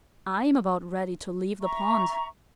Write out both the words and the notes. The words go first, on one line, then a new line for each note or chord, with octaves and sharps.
I'm about ready to leave the pond.
E5 A#5 C#6